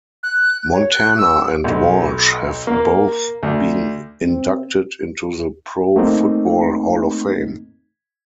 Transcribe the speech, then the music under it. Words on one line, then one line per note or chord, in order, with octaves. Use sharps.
Montana and Walsh have both been inducted into the Pro Football Hall of Fame.
F#6
C#5
F#6
E6
B1
A#3
D2
C4
A3 A#3 C4 D#4